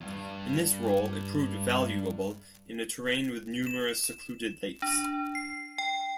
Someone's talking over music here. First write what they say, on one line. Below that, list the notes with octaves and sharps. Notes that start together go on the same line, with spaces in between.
In this role, it proved valuable in a terrain with numerous secluded lakes.
E2 G2
E7
D4
C7
G5